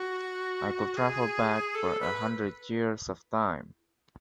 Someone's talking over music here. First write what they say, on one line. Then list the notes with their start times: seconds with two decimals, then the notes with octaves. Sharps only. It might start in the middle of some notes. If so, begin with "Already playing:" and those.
I could travel back for a hundred years of time.
Already playing: F#4
0.97 G#4
1.75 A4
2.00 B4